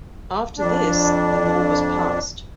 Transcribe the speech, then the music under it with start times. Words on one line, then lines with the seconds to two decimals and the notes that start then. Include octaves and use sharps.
After this the law was passed.
0.58 F2 D4